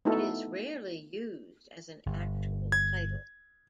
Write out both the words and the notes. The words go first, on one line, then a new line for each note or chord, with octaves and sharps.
It is rarely used as an actual title.
A3 B3 D#4 E4 F#4 A4
G1
G#6